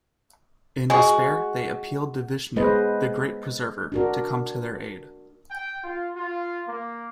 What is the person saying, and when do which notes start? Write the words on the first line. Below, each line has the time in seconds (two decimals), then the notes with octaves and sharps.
In despair, they appealed to Vishnu, the great Preserver, to come to their aid.
0.90 G#3 F#4
2.56 G#3 B3 G#4 B4 C5 D#5
3.92 D4 F#4 A#4
5.50 G5
5.83 F4
6.15 F4
6.66 A#3